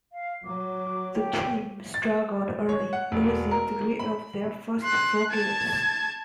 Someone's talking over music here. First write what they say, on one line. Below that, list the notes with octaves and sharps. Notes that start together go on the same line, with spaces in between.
The team struggled early, losing three of their first four games.
F5
F#3 D6
G4
A6
C#5
F#5
E1
A#4
B5
C6 F#6
A5 G#6